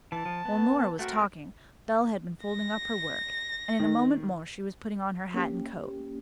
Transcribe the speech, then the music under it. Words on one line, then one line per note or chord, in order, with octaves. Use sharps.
While Nora was talking Belle had been folding up her work, and in a moment more she was putting on her hat and coat.
E3 A5
F3
B3
A3 C4 F#4 A#4
A#6
D#3
A#3 C#4 G4